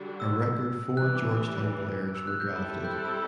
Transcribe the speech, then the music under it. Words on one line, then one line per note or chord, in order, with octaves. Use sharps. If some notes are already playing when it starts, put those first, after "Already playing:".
A record four Georgetown players were drafted.
Already playing: D3 G3 D4 F#4
E6
E3 G3 D4 F#6
D6
D6
E6
F#6
G6
G3 C4 E4 A4
G6
F#6
E6